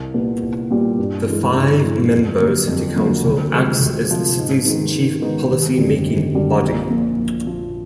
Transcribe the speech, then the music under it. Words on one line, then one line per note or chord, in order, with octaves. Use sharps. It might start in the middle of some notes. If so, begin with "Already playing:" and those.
The five-member City Council acts as the city's chief policy-making body.
Already playing: C2
A#2 G3 B3
C2
A#2 G3 B3
G2
E3 G#3
G2
E3 G#3
F2
D3 F#3 A#3
F2
D3 F#3 A#3
D2
C3 F3 G#3
D2
C3 F3 G#3
G#2
D#3 G#3 B3 D#4
G#2
D#3 G#3 B3 D#4
G#1
F#2 D3 G3
G#1
F#2 D3 G3
A#1
A#2 F3
A#1
A#2 F3